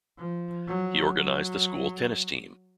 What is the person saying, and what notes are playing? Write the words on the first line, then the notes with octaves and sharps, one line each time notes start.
He organised the school tennis team.
F3
F#3
F#3